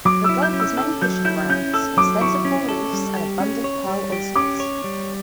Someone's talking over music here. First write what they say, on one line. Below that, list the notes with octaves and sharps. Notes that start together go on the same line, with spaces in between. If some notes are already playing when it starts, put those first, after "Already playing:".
The gulf has many fishing grounds, extensive coral reefs, and abundant pearl oysters.
F#3 D6
E4 E6
G6
C#4
E6
A4 E6
F#3 G6
E4 G6
C#4 G6
A4 E6
F#3 D6
E4 C#6
C#4
A4
G3
G4
C#4
C#5
G3
G4
C#4 D6
C#5
G3